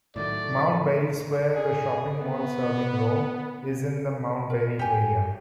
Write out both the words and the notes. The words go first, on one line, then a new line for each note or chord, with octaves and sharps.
Mount Berry Square, the shopping mall serving Rome, is in the Mount Berry area.
A2 D#3 F#3 A3 D5
G#4
B3
A#4
G4 G#5